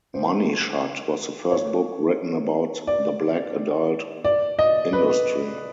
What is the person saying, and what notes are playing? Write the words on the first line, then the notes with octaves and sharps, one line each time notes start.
"Money Shot" was the first book written about the black adult industry.
C5
C#5
D5
D5
D#5
B4